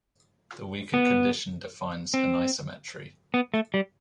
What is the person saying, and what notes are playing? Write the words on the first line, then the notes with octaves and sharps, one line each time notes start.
The weaker condition defines an "isometry".
B3
C4
B3
A3
G3